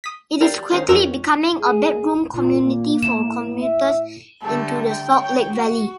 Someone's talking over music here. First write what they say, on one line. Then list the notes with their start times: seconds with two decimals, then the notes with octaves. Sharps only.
It is quickly becoming a bedroom community for commuters into the Salt Lake valley.
0.04 D#6 B6
0.41 G4 A#4 D5 F5
0.72 D#3 C#4 C5
0.88 F2 C#4 A#4 E6
1.60 G#4
2.34 A#2 F4
2.63 A#3
3.03 A2 E7
3.62 E5
4.42 D3 G3 A3 A4
4.83 G5
5.16 C#5
5.51 F#4